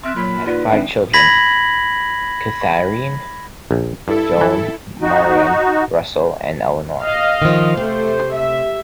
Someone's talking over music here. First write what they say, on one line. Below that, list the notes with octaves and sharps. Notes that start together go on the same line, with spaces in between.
They had five children: Katharine, Joan, Marion, Russell, and Elinor.
C4 E5 C6 F6 F#6
A#2 F#3 B5
D#4 F4 B4 D5
G#1 D4 E5 G5 D7
B5 G#6 A#6 B6 F#7
A#1
G2 E4 A4
E3
D#4 F#4
D#5 F5
D#3 F3
C3 A3 C5
E5